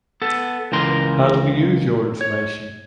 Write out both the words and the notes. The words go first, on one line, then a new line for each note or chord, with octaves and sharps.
How do we use your information?
B3 A4
C#2 E3 A#4 C6
C#5